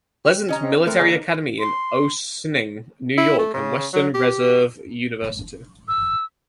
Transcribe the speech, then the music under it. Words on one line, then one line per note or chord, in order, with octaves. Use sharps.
Pleasant Military Academy in Ossining, New York and Western Reserve University.
G4
C#4 D#5 A#5
C4
A3 B3 C4 A#4
D3 A#3 G#4 C#5 D#5
D#4
C6
E4
A3
C#3
F#3
G4
E6